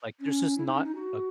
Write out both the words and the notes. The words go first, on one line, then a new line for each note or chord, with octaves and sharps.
Like there's just not a
C#4
E4
D#4
C#4
D#4
F#4